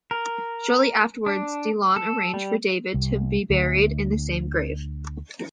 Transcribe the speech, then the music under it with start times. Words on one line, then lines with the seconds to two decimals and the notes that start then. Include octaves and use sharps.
Shortly afterwards, Delon arranged for David to be buried in the same grave.
0.11 A#4
1.26 D4
1.96 A4
2.34 G3
2.94 C2
3.50 D2